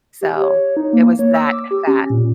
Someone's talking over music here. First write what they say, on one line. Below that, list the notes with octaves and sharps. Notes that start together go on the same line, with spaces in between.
So it was that fat.
G4
C#5
D#4
A#3
C#5
E6
D6
G4
C#4
A#2